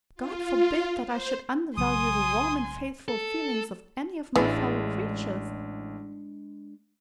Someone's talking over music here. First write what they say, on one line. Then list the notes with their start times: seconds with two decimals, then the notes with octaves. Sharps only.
God forbid that I should undervalue the warm and faithful feelings of any of my fellow-creatures!
0.15 F4
1.05 C5
1.77 B1 C#3 F#3 G#5 C6 D#6
3.08 A4
4.36 A1 E3 G#3 D4 E4